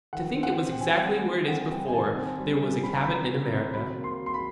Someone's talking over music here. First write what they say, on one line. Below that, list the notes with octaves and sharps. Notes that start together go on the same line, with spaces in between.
"To think it was exactly where it is before there was a Cabot in America!"
D#3 F#5
C4
F#5
C4
G5
C4 G#5
G5
G3 G5
C4
C4 F#5
G3 G5
G#5
D#3 A5
C4
G3
G3
C4 B5
A#5
D#3 B5
D#3
C4
F#3 B5
A#3
C6
F#3
C6
B5